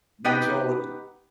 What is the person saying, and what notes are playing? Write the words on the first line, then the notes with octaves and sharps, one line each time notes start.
makes all of the
B3 D#4 G4 B4 D#5 G5